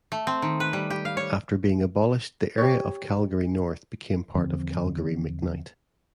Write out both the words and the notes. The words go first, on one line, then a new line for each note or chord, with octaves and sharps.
After being abolished the area of Calgary North became part of Calgary McKnight.
A3
C4
D#3
B4
G3
G4
F5
C#5
G4 C#5
E2 D3 F3 C4